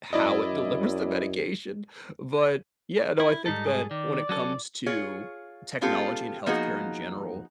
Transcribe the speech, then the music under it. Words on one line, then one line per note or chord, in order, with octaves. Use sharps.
how it delivers the medication. But, yeah, no, I think that when it comes to technology and health care in general,
F#2 E4 D5 D#5
E4
G#2 G3 D#4 A4
G#4
D#3 D5
F#3 C#4 A4
F4 G#4 C#5
G#3 B3 C#4 F4 G4 A4
F3 A#3 B3 D#4 F#4 G#4